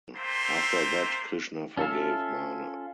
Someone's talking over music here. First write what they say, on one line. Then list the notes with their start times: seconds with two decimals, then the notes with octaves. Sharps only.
After that Krishna forgave Bana.
0.16 A3 A#3 C4 C5 C6
1.77 C#4 F4 A4 E5 F5